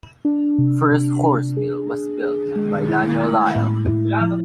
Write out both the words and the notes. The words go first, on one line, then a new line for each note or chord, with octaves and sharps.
First horse mill was built by Daniel Lile.
D4
C3
C3
D4
G#4
G#4
G#4
G#3
E4
A3
A2
E4
F3